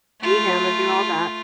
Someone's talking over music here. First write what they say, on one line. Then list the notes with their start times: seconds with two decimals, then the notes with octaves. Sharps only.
feed him and do all that,
0.21 A3 F4